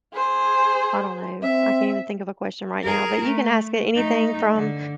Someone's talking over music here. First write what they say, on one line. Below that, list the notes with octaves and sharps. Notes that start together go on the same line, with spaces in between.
I don't know, I can't even think of a question right now, but you can ask it anything from,
G#4 C5
C4 E5
G#4 A#4
A3
A3 D#4
D3